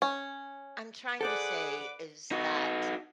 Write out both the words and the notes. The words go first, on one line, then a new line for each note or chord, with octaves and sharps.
I'm trying to say is that,
C#4
G#4 A4 B4 C5 D5 F#5 D6
D#4 F#4